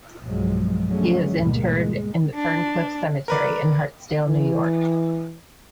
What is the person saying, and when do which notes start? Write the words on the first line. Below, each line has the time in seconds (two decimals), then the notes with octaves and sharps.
He is interred in the Ferncliff Cemetery in Hartsdale, New York.
0.23 B1 G2 F3 F#3 G#3
0.87 D3 F#3 G#3 A3 C#4
1.40 D2 G#2 B2 G3 G#3 A#3
1.75 G#3
2.33 D4
3.28 A#4 B4 D5
4.27 E3